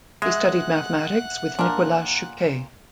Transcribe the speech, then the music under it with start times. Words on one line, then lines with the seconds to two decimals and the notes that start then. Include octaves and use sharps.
He studied mathematics with Nicolas Chuquet.
0.22 G#3 E5 F#5 F#6
1.59 A#2 D4 A#4